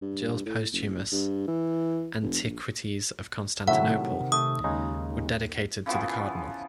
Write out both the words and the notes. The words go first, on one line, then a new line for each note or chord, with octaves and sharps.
Gilles' posthumous "Antiquities of Constantinople" were dedicated to the Cardinal.
G2
A2
F#1
G2
E3
F1
A#1
A2 C3 D#3 F#3 E5 F#5
A3 D#6
D#2 C#3 G#3 D#4
C#3 E3 F3 B3